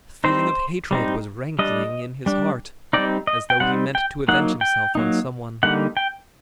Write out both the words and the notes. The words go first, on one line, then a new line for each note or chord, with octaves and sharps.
A feeling of hatred was rankling in his heart, as though he meant to avenge himself on some one.
G3 C4 D#4 C5
G3 C4 D#4
G3 D4 D#5
G3 D4
G3 C4 D#4 D5
D#5
G5
G3 C4 D#4 F#5
G5
F#3 A#3 D#4 F#5
G5
F#3 A#3 D#4
D3 G3 A#3 D#4 F#5
G5